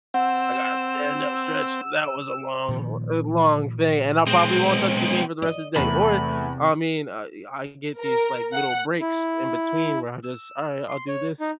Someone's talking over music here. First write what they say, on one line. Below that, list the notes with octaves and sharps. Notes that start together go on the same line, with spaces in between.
I gotta stand up stretch. That was a long a long thing." and I probably won't touch the game for the rest of the day, or, I mean, uh, I can get these, like, little breaks in between where I just, "Alright, I'll do this
C4 F#5 E6
A#2 D#3 F3
B1 G#3 C4
D5 D#5
E2 C3 A3 B5
A#4
F#5
E4
E6
C6
C#5
D#4